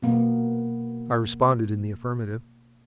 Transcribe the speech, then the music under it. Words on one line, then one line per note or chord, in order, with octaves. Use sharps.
I responded in the affirmative.
B2 A#3 B3